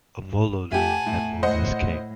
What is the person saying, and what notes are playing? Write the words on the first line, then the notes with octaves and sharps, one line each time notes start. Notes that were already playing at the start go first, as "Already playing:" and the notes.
Omololu and Moses King.
A3 G4 F#5 G#5 A5
A2
A2 C5 D#5 F#5